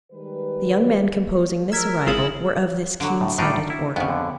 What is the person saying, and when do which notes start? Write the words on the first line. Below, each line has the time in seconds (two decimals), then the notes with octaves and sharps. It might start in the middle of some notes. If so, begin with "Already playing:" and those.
The young men composing this arrival were of this keen-sighted order.
0.13 D#3 G3 G#3 B4
1.72 A#4 E6 G#6 B6
2.07 G#1 E4 F4 G#4 D#6
3.00 D3 F#3
3.21 A2
3.38 A2 G3 D4 D#4
3.70 E4
3.96 F2 C#3 B3
4.08 F2 D3